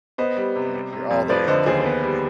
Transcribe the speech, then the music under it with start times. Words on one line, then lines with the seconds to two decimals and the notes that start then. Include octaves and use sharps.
ya you're all there in it together, right?
0.18 B3 C5 D#5
0.37 G3
0.56 C3
0.74 G3
0.93 C3
1.11 F2
1.29 F3 B4 D5
1.48 D3 C5 D#5
1.66 D#2 G#4 C5
1.85 B3
2.04 G3